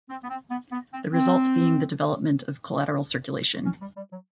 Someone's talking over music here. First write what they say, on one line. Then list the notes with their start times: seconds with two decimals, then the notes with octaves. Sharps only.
The result being the development of collateral circulation.
0.10 C4
0.24 B3
0.29 C4
0.51 B3
0.72 B3
0.93 C4
1.13 C4
3.65 C#4
3.82 G3
3.97 G3
4.12 F#3